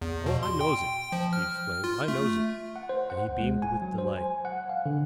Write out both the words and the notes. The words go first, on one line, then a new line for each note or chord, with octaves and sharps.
"Oh, I knows it," he exclaimed, "I knows it;" and he beamed with delight.
E2
B2
C6
G5
F3
F6
F4
A3
F#5
C5
F#5
D2
G#3
G#5
F#3
C5
G#5
F#5
F5
D3